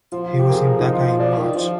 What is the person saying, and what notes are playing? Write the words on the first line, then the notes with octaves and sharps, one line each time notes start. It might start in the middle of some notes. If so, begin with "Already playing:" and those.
He was in Dhaka in March.
F3 F4
F4
G4
A#4
G#4
A#4
D#4
F4
F4
F3 D5
D#3
F3